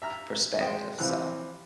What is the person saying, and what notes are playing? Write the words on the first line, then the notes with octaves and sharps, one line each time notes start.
perspective, so
E5 A#5 F6
G#3 C5 G5 D#6
C3 E3 F3 C4 E6 F#6